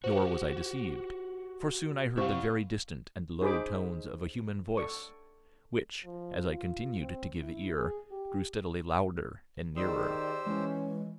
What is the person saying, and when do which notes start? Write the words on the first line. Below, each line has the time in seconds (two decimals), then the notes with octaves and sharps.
Nor was I deceived, for soon I heard the very distant and low tones of a human voice, which, as I continued to give ear, grew steadily louder and nearer.
0.04 F#4 G4 C5
2.18 C3 E4 F5 F#5 C#6
3.42 D#4 G#4 C5 B5 D6
4.77 A4 D5 C#6
6.04 F3
6.50 F4
7.00 C4
7.42 E4
7.77 G#4
8.11 G4
9.76 D#3 G4 G#4 C5 D5 E6
10.47 E3 G#3 C#4